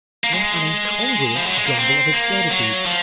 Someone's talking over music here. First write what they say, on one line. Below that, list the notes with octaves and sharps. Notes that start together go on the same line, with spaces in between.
What an incongruous jumble of absurdities!
A#3
G#3
F3
F#3
G#3
A#3
C4
A#3
F#3
F3